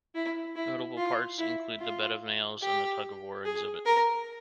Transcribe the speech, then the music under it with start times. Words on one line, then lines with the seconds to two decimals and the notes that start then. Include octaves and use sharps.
Notable parts include the bed of nails and the tug of war exhibit.
0.15 E4
0.56 E4
0.97 F4
1.38 E4
1.79 F4
2.62 G4
3.45 G#4
3.86 A#4